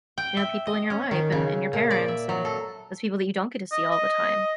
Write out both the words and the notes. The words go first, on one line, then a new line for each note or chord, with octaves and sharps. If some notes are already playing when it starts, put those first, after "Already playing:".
you know, people in your life and and your parents and those people that you don't get to see all the time.
G5
E5
D#5
C#4
D#3
C#3
A#2
D5
E5
F#3
A4
D#5
D#5